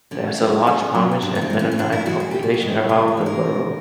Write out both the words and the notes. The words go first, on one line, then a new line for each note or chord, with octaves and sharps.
There is a large Amish and Mennonite population around the borough.
D3 C#4
F#3
D3 C#4
F#3
C#4
C3 D4
B3
C4
E3 G#3
C#4
C#4
C3 D4
E4
E3 G#3 F#4
G#4
C3 G4
F#4
G4
E3 G#3
C3 G#4
G#4
E3 G#3
A#4
B2